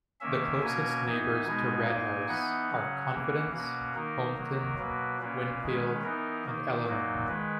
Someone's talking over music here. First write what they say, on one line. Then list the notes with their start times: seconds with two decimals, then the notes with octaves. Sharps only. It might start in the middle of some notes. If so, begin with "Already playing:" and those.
The closest neighbors to Red House are Confidence, Hometown, Winfield, and Eleanor.
0.20 D#3 A#3 C#4 E5
0.62 B2 A#3 C#4 G#5
1.04 E3 B3 D#4
1.46 B2 G#3 B3 D#4
1.87 A#2 A#3 D#4
2.28 E3 B3 D#4 F#5
2.70 C#3 F#3 C#4
3.11 E3 A#3 C#4
3.53 B2 A#3 C#4 F#5
3.95 D#3 A#3 D#4 A#4
4.37 D#3 F#3 A#3
4.78 B2 F#3 A#3 B4
5.20 A#2 A#3 C#4 B4
5.62 D#3 G#3 C#4
6.02 E3 B3 D#4 A#4
6.45 D#3 A#3 D#4
6.86 A#2 F#3 A#3 D#4
7.28 D#3 G#3 B4